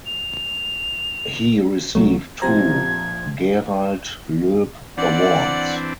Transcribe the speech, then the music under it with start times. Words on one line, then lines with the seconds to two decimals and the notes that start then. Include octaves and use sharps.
He received two Gerald Loeb Awards.
0.06 F7
1.95 C2 F#3 A3
2.42 A#1 F3 C4 G4 C5 A#5 G#6
4.98 E3 C4 D4 D5 F#5